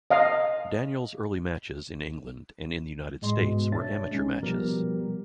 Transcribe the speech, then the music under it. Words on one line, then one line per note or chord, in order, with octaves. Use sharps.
Daniels early matches in England and in the United States were amateur matches.
D#5 F5
A2 G#3 D#5 C6
G#2 B2 G#3
D4 C#5 E5 A6
G#3 C#4 D#4
B2 F3 G3 B3 G4 A#4